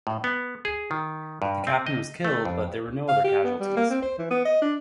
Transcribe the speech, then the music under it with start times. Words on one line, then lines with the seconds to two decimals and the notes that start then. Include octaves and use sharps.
The captain was killed but there were no other casualties.
0.07 A2
0.24 B3
0.65 G#4
0.91 D#3
1.42 G2
1.67 C4
1.87 D#5
2.24 A3
2.45 F2
3.09 F5
3.24 G4
3.45 B3
3.60 G3
3.77 A#3
3.90 C4
4.02 C5
4.18 E3
4.31 B3
4.45 D#5
4.62 D4